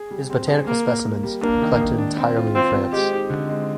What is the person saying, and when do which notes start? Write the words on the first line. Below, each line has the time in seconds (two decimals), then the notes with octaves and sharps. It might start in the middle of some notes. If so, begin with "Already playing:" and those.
His botanical specimens were collected entirely in France.
Already playing: G#4
0.11 G3
0.30 C4
0.48 G#4
0.67 A#3 A#4
0.86 A#4
1.05 A#3
1.23 G3
1.42 A#3 D4
1.62 D#3
1.80 D#3
1.98 D4
2.18 C4
2.36 F4
2.55 C4 F4
2.74 C4
2.92 G#3 G4
3.11 D#4
3.30 D3
3.49 G#3